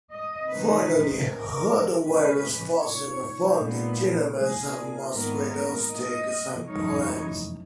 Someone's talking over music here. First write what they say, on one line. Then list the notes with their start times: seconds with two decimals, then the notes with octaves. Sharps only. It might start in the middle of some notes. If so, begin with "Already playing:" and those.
Finally, rhabdovirus "fossils" were found in the genomes of mosquitoes, ticks, and plants.
0.12 D#5
0.50 D#3 G#3 D#4 B4
1.28 A#4
2.05 B2 G#3 C#4 B4
2.82 C#5
3.59 A#2 G#3 B3
4.36 G#4
5.13 G#2 D#3 G#3 B3 A#4
5.51 A#4
5.91 D#5
6.67 F#2 E3 G#3 D#4 C#5